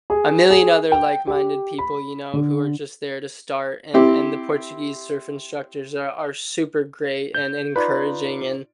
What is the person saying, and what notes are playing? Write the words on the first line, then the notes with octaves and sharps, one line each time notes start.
a million other like-minded people, you know, who are just there to start. And and the Portuguese surf instructors are are super great and encouraging, and
G#4
G#4
G5
G4
B5
D3
C4 E4 G4
G6
D#4 F4 B4 D5